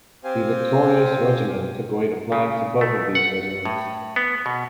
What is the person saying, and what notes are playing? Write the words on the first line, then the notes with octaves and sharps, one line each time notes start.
The victorious regiment took away the flags of both of these regiments.
C4 G4 C5 F5 G#5
C#3
A3
F#5
A2
B3
B2